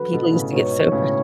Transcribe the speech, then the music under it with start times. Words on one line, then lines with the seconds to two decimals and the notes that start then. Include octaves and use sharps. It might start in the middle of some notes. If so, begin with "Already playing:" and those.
People used to get so frust
Already playing: D3 F#3 B4
0.13 B2 D3
0.33 A2 C#3
0.53 G#2 B2 C#5
0.92 A2 C#3